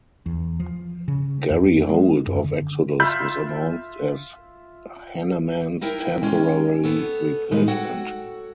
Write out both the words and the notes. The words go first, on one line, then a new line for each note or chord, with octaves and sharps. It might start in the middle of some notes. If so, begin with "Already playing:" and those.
Gary Holt of Exodus was announced as Hanneman's temporary replacement.
E2
F3
C#3
F2
G#3
F#2
D3
F4 E5 B5 G6
D#4 E4 A#4 G5
D#3 G#3 C#4 G5 G#5
B3 A4 C#5
A2 C3 G3 G#3 D#4
F#4 A4 C#5 F#5 G5